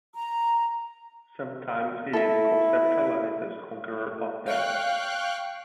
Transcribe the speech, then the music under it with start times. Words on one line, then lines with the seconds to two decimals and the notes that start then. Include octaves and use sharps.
Sometimes he is conceptualized as "conqueror of death".
0.14 A#5
2.13 E4 A4 E5
4.46 F5 G5 C#6 F#6